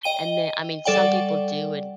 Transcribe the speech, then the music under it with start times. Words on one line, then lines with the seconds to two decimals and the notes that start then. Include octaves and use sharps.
and then I mean, some people do and,
0.03 D#5 G5 D#7 G7
0.85 G3 A4 D5 F#5 G5